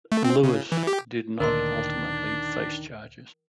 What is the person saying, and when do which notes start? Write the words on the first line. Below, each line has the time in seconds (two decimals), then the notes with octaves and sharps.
Lewis did not ultimately face charges.
0.12 A3
0.24 C4
0.43 C#3
0.72 E3
0.87 G4
1.40 D2 A#2 D#3 D4 A#4 A#5 C6